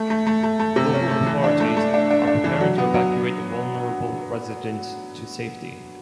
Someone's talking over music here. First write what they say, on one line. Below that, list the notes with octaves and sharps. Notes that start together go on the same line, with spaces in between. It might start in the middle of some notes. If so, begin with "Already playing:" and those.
Local authorities are preparing to evacuate vulnerable residents to safety.
Already playing: A3
A3
A3
A3
A3
C3
C#4
A3
E3
D4
A3
A3
D4
D4
D4
E3
F#3
B3
F#3